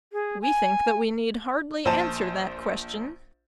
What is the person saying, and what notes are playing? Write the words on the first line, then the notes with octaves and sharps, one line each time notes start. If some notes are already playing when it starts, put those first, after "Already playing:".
We think that we need hardly answer that question.
G#4
G#5
A#1 C5 A5 D#7